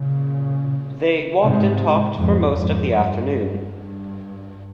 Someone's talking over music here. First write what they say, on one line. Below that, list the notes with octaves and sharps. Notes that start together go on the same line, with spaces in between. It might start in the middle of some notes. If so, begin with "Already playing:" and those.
They walked and talked for most of the afternoon.
Already playing: A#2 C#3
G#2 C3
F2 G#2
F2 G#2
G2
G2